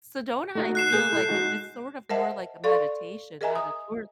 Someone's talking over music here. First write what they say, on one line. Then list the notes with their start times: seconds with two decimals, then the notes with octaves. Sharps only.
Sedona, I feel like if it's sort of more like a meditation, not a tour
0.55 A3 D#4 F#4
0.75 F#6 C7 E7
0.93 A3 G#4 G6
1.12 E4 A4
1.29 G#3 D#4 F#4
2.10 A#4 C5 D#5 E5 F#5 A5
2.64 A4 D5 F5 C6 C#6
3.41 G#4 A#4 D#5 E5 G#5 A#5
3.56 D#6